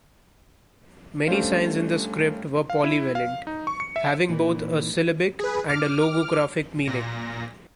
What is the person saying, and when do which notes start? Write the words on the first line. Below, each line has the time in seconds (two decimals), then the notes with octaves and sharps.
Many signs in the script were polyvalent, having both a syllabic and logographic meaning.
1.27 G3 A3 C#4 D4 C5 F5
2.70 F5
2.84 E4
3.15 F5
3.47 D#4
3.67 C#6
3.80 C#7
3.96 E5
4.28 A#2 E3 C4 D#4
5.39 G#4 B4
5.68 D6 F6
6.85 A#2 A#6